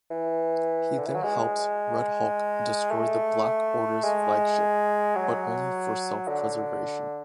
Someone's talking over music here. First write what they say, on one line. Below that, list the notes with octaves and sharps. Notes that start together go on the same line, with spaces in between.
He then helps Red Hulk destroy the Black Order's flagship, but only for self-preservation.
E3
D3
E3
F#3
G#3
A3
G#3
F#3
D3